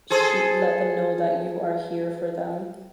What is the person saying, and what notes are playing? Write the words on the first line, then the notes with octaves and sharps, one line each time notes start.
sh let them know that you are here for them.
G#4 A4 C5